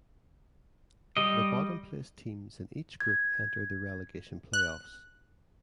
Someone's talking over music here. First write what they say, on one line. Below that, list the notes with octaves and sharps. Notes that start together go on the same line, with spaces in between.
The bottom placed teams in each group enter the relegation playoffs.
G3 D#5
G#6
F#6